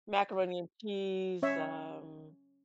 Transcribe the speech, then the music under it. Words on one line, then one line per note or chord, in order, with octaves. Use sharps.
Macaroni and cheese, um
C#4 C#5 E5